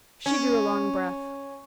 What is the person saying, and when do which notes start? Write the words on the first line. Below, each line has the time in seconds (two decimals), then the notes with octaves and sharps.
She drew a long breath.
0.26 C#4